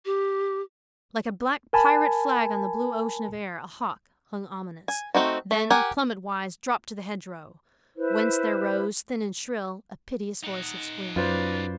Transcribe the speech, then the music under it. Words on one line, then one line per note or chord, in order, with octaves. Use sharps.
Like a black pirate flag on the blue ocean of air, a hawk hung ominous; then, plummet-wise, dropped to the hedgerow, whence there rose, thin and shrill, a piteous voice of squealing.
G4
A#4 G#5 A5 B5
G#5
A3 C4 D#4 F#4
A3
G4 A#4 F#5 G#5
E4 B4 C5
D#4 F#5
F#2 F4 B4 C5 D5